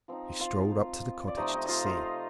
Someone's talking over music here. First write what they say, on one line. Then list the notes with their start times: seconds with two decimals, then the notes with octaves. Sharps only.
He strolled up to the cottage to see.
0.08 F3 C4 D#4
0.40 F4 F5
1.28 D5
1.37 C3 F3 A3 C4 D#4 D#5
1.53 D#4 D#5
1.65 F4 D#5 F5
1.85 F4 F5